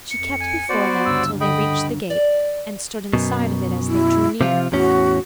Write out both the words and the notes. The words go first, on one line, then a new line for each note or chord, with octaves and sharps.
She kept before them till they reached the gate, and stood inside of it as they drew near.
F2 C#7
G#5
B3 F#4 B4 C5 D5 D#6
D2 G2 C#3 E6
D3 D#5 G5 B5 D#6
D5
F#2 B2
E4
C3 F3 F4 F5
E2 A2 C#4 F#4